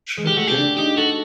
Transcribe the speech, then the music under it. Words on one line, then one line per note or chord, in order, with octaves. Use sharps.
Sure, yeah.
G#3
G4
A3 F#4
G4
D4
D#4 G4
F#4 A4